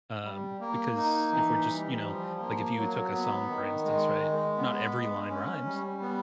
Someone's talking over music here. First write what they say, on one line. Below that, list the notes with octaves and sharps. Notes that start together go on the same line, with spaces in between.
Um, because if we're just you know, like, if you took a song, for instance, right? Not every line rhymes.
G3
A#3
D#4
E3
G3
F3
A#3
F#3
B3
D#3
G#3
G#3
B3
G#3
C#4
G3
B3